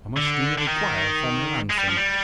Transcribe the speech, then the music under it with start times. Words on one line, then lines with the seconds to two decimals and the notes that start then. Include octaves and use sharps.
"How much do you require for my ransom?"
0.17 D3
0.58 D3
0.68 D#3
1.70 G#3
1.79 G3
1.88 F3
1.97 G3